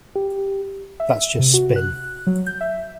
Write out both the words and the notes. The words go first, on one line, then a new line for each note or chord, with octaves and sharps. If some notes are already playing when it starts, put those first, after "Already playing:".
That's just spin.
G4
E5
C3
F#4
F#6
F#3
G6
E5